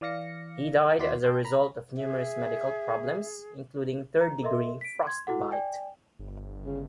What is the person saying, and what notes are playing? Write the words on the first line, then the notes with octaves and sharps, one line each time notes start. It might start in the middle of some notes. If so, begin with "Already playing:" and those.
He died as a result of numerous medical problems, including third-degree frostbite.
E3 D5 F5 A#6 C#7
D#2 E4 F#4 D5 C6 B6
G5 A5 C6 G6
A#5 B5
G#4 E5
A#5
A4 A#4 D#5 E5 C6
B6 D7
C6 G#6
E4 F#4 A4 F#5
D5 G5 G#5
G1
C#3